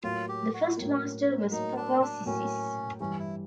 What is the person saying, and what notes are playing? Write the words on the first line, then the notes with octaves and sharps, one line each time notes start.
The first master was Papasisis.
A2 F#3 A#3 F4
G4
F#4
A2 F#3 A#3
A2 F#3 A#3 D#4
D4
D4
A2 F#3 A#3 C#4
G2 E3 G3 C#4
E4